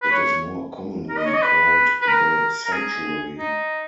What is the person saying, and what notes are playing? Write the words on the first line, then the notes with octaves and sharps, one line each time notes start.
It is more commonly called the sanctuary.
B4
C#5
A#4
D#5
C#5
D#5
B4
B4
A#4
A#4
G#4
D#4